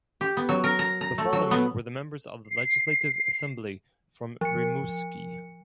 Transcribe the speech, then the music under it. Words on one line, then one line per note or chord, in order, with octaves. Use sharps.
The following were the members of the Legislative Assembly from Rimouski.
G4
B3
F#3
A#4
A#5
A#5
A3
F#3
B3
C7
F3 C#7